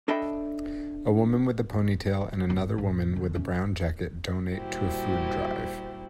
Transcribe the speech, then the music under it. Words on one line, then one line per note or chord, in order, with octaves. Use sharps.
A woman with a ponytail and another woman with a brown jacket donate to a food drive.
D4 A4 D#5 E5 G5 B5
G#1 C4
A1
D3
D1 C#4
A#2 G3 E4 F#4 G4 C5